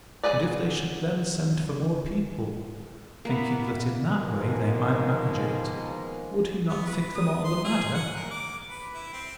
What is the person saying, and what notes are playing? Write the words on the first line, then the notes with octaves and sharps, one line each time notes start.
And if they should then send for more people, thinking that in that way they might manage it, would he not think them all the madder?
F#3 A#3 G#4 B4 D5
A#3 B3 E4
B2 D#3 F3 G#3 A#3
B3
B4
D#6
C6
G#4
F#5
A#4
D6
B4
E4
C4